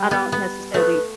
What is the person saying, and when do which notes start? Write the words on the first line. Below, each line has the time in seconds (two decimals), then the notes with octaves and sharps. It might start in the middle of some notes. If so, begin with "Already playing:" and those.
I don't necessarily
Already playing: G3
0.11 B3
0.32 B3
0.74 A3 B4